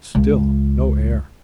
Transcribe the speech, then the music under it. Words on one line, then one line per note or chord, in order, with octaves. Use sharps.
Still no air.
C#2